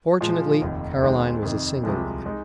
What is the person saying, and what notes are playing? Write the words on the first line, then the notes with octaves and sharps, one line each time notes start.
Fortunately, Caroline was a single woman.
A#2 F3 G#3 F4
F1 D#2 D#3
D#2 D#3 G#3 C4
F2 C3 D#3
C2 C3 F3 G#3
G#3 D#4